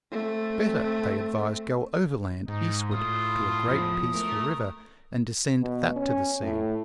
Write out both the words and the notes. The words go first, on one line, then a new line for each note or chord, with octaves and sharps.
Better, they advised, go overland eastward to a great peaceful river and descend that to the sea.
A3 C4
G#2 D#4
A2 F4 D#6
E2 F3
A3 A#4
B2
C#4
A2